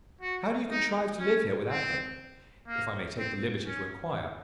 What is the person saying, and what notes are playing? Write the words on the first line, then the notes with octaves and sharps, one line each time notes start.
'How do you contrive to live here without them? if I may take the liberty to inquire.
F#4
D#4
C#4
C4
A#3
C4
C#4